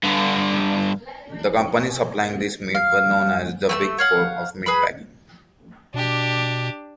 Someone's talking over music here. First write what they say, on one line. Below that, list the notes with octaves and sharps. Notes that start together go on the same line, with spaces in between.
The companies supplying this meat were known as the "Big Four" of meatpacking.
G2 D3
F5
A3 G5 E6
C#5 F5 F#5
G#4 B4 B5
B2 D4 G4